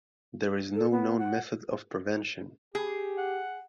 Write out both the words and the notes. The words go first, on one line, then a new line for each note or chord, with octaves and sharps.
There is no known method of prevention.
A4
B3
F#5
G4 G#4
F#5